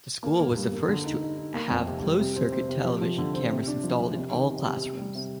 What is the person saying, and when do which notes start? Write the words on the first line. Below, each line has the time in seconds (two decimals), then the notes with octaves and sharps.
The school was the first to have closed-circuit television cameras installed in all classrooms.
0.23 A#3
0.39 A#3
0.56 G2
0.72 A#3
0.88 D3
1.05 D#4
1.21 D#4
1.37 D#4
1.54 A#3
1.70 F2
1.87 C3
2.03 G3
2.19 C3
2.36 C4
2.52 C4
2.69 C3
2.84 F3
3.01 F3
3.18 D3
3.34 C4
3.51 C3
3.67 D4
3.84 F3
3.99 F3
4.16 C3
4.33 D#3
4.49 C3
4.66 C3
4.82 C3
4.98 G3
5.15 C3